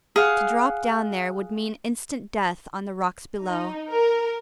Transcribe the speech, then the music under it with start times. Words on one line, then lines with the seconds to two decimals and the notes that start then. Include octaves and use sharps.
To drop down there would mean instant death on the rocks below.
0.16 G#4 F5 F#5
3.47 D#4
3.91 A#4